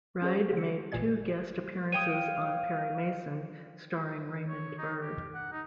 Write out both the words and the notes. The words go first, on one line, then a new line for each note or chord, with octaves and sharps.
Reid made two guest appearances on "Perry Mason" starring Raymond Burr.
C#4 G#4 C5
D3 C#7
G1 A#2 E3 D5 G#6
C#5 F5 G5 D#6 D#7
C#5
D#4
G4
F#5
D#4